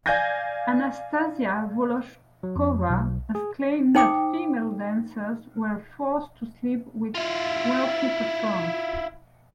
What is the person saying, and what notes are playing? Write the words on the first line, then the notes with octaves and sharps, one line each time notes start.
Anastasia Volochkova has claimed that female dancers were forced to sleep with wealthy patrons.
D5 F5 G#5 G6 G#6 A#6
F#3
F2
B1
G#4
D#4 C5 G5 D6 D#6
E4 F4